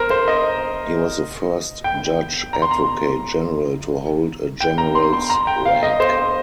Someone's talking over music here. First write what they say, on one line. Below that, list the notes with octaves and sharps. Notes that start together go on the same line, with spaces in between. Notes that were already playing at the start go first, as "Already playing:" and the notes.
He was the first Judge Advocate General to hold a general's rank.
Already playing: A#4 C5
C5
D#5
G5
A#5
C6
A#5
G5
A#5
C6
C6
A#5
G5
F5
D#5
C5